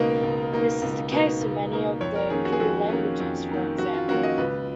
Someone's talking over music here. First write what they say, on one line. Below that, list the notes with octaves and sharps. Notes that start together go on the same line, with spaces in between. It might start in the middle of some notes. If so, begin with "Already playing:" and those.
This is the case with many of the Kru languages, for example.
Already playing: C#2 B2 A#3 D#4 A#4
C#2
B2 A#3 D#4
C#2
B2 A#3 D#4
C#2
B2 A#3 D#4
F2 C#5
A#4
D#3 A#3 C#4 G#4
F#4
G#4
F2 F#4
D#3 A#3 C#4
F2
D#3 A#3 C#4
F2 F#4
F4
D#3 A#3 C#4 F#4
D#5
C#2 B4